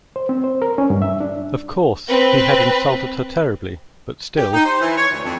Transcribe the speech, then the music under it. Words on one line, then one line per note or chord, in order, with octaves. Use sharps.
Of course, he had insulted her terribly, but still —!
C5
C4
C5
A#4
C#4
G2
E5
D4
C4 B4
G4
D#4
C5
E3
C#5
D2
F2